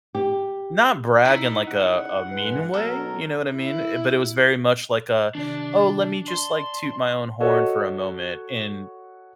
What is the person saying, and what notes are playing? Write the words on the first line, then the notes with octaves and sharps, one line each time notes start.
not brag in, like, a a mean way, you know what I mean? Uh, but it was very much, like, a, "Oh, let me just, like, toot my own horn for a moment." and
G4
D#4 E4
C#3 F#5
G2 G#3 B4
B2 F#3 A4 A#4
E4
C3 D#3 D4 D5
D5 A5 C6
F#4 A4 C#5 D#5